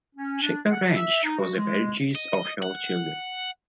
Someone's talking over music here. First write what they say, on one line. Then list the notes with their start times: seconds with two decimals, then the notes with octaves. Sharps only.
She arranged for the marriages of her children.
0.16 C#4
0.41 D4
0.70 F#5
0.95 E5
1.24 D#4
1.39 F#4
1.56 G#3
2.15 D#5
2.63 F#5